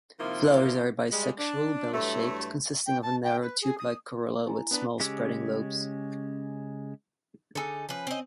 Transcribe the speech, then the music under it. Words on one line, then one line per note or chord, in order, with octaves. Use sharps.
Flowers are bisexual, bell-shaped, consisting of a narrow tube-like corolla with small spreading lobes.
C3 D#3 F3 A#3 E4 F4
G3 G#3
D4
G2 E3 F#3 A3
G5
A5
G5
B4
G#4
D#6
E4 G#5 A#5
B3 D4 B4
C#3 G#3 C#4 G4 E6
D3 D#4 G#4 A4
F3 C#4 B4
C4 D#5